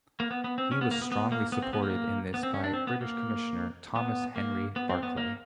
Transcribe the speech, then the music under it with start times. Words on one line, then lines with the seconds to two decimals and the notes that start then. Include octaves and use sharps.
He was strongly supported in this by British Commissioner Thomas Henry Barclay.
0.20 A#3
0.31 B3
0.44 B3
0.58 C4
0.71 C#4
0.81 B3
0.91 A#3
1.02 B3
1.12 B3
1.32 A#3
1.52 B3
1.62 C4
1.73 B3
1.83 A#3
2.34 B3
2.43 C4
2.54 C#4
2.64 D4
2.74 C4
2.87 B3
3.01 A#3
3.96 B3
4.36 A#3
4.76 B3
4.90 C4
5.03 B3
5.17 A#3